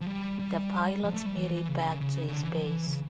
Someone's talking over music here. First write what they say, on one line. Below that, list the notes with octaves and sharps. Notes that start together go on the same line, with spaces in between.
The pilot made it back to his base.
F3
G3
G3
F3
A3
G3
E3
C#3
C#3
C#3
C#3
C#3
D3
E3
F3
E3
C#3